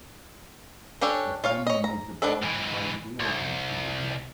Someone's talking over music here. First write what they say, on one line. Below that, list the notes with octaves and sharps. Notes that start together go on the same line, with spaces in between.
The family moved about a great deal when she was young.
C#4 D4 G4 A4 C#5
F4 C#5 F5
C#5 D#5
A#5
D#3 B3 D4 A4
G#2 E3
C2